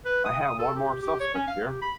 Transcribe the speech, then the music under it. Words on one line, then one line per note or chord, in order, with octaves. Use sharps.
I have one more suspect here.
B4
D#6
D#6
A4
G4
G4
C#5
C#4
F5
G4
B5